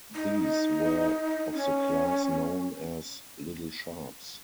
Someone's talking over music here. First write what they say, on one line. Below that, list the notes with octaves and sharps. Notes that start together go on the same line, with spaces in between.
These were of the class known as "Little Sharpes".
D#4
C#4